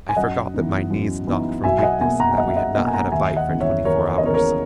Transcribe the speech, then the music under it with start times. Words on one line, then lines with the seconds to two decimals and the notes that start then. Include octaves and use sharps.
I forgot that my knees knocked from weakness and that we had not had a bite for twenty-four hours.
0.09 G#5
0.16 F#2 D#5 F#5
0.54 E3 B3 D#4
0.90 F#2
1.27 E3 B3 D#4
1.64 B1 E5 G#5
1.78 G#5
1.83 D#5 F#5
2.01 B2 A#3 E5 G#5
2.20 F#5 A#5
2.31 G#5
2.38 B1 D#5 F#5
2.48 E5
2.56 D#5 F#5
2.75 B2 A#3 D#5 F#5
2.87 G#5
2.93 F#5 A#5
3.12 D#2 E5 G#5
3.36 D#5 F#5
3.49 C#3 E3 B3
3.60 C#5 E5
3.85 D#2 A#4 C#5
4.10 C#5
4.18 D#5
4.23 C#3 E3 B3 A#4 C#5
4.34 A#4 C#5